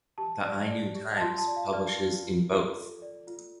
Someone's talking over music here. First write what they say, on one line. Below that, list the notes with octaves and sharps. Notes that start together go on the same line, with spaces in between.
The "Ainu Times" publishes in both.
G4 A5
D5
D5
G4
A5
F4 C6
A5
D5
F5
D5 F6
F4
F4
F4
A4
D5
F4